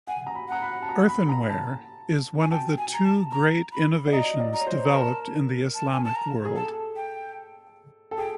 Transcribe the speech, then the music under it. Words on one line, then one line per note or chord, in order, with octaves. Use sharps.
Earthenware is one of the two great innovations developed in the Islamic world.
F#5 G#5
A#5
B5
F#5 A#5
B5
A5
A#5
B5
A#5
A5
G#5
G5 A5
G#5
A#5
A5
A#5
B5
D5
D#5 A#5
D5
A#5
C#5
C5
A#5
A#4 A5
A5
G#5
A5
A#5
G#4
A4 A5
G5
A4
G#4 G5